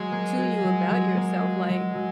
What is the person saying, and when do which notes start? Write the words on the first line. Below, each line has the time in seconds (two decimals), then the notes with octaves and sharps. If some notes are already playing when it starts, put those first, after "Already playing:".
to you about yourself, Like,
Already playing: F#3 G#3
0.12 A#3
0.38 F#4
0.64 F#3
0.91 F#3
1.17 A#3
1.43 F#4
1.69 F#3
1.95 F#3